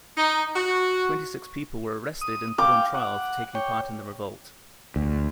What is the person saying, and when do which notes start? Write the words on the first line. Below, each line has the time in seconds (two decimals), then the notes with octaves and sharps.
Twenty-six people were arrested and put on trial for taking part in the revolt.
0.17 D#4
0.56 F#4
2.22 D#6
2.58 F5 G5 D6
2.94 F#5
3.55 C#5 G5
4.96 D2